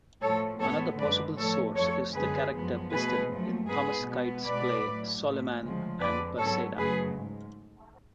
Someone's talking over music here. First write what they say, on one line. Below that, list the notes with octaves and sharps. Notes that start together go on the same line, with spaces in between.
Another possible source is the character Piston in Thomas Kyd's play "Soliman and Perseda".
A2 F3 A3 A4 C#5
A2 G#3 B3 A4 C#5
F#2 D3 G#3 B4 D5
A2 F3 A3 A4 C#5
F2 F3 A3 A4 C#5
F#2 D3 G#3 B3 G#4 B4
F#2 F3 G#3 B3
B2 A3 G#4 B4
F#2 F3 A3
G#2 G#3 B3 G#4 B4
B2 G#3 B3
B2 G#3 B3 B4 D5
A2 F#3 A3
A2 F3 A3
D2 C#3 F3 G#3
F2 D3 G#3 B4 D5
G#2 F#3 B3 A4 C#5
F#2 C#3 F#3 A3 G#4 B4
G#2